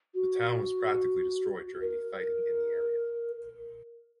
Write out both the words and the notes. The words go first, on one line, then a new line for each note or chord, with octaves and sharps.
The town was practically destroyed during the fighting in the area.
F#4
A#4